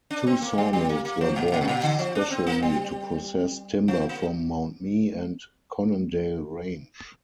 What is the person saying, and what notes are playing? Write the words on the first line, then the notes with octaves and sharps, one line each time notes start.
Two sawmills were bought specially to process timber from Mount Mee and Conondale Range.
D4
C4
A#3
G3
G3
A#3
A#3
F3
A#2
A#2
C3
A#2
D3
F3
D4
C4
A#3
G3
F3
A#3